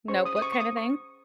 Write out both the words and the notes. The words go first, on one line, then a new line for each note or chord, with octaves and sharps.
notebook kinda thing?
C#4 G#4 C5 C#6
D#6
D#6
C#6
C#6
D#6
C#6